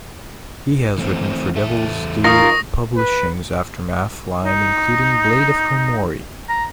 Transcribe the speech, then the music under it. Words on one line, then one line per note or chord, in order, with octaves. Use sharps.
He has written for Devil's Due Publishing's Aftermath line including "Blade of Kumori".
E3 A3 C4
E2 A4 E5
D#4 F4 A#4 C#6 D#6 A#6
B4
D#4
A#5